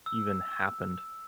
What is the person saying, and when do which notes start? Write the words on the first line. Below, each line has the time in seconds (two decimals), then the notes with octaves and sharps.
even happened.
0.06 E6